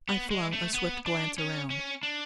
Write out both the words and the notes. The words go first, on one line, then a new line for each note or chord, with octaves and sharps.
I flung a swift glance around.
B3
G#3
A3
B3
D4
C#4
C#4
D4